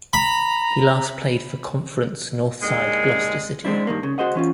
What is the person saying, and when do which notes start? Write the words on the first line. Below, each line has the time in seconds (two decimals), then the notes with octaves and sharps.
He last played for Conference North side Gloucester City.
0.13 A#5 B5
2.61 D#2 D3 G#3
3.65 G#3 A3 C4 D4 E4
3.87 G2 D#3 A#3
4.03 C#3
4.18 F#4 G#4 C5 D#5 F#5
4.35 E3 C#4 F4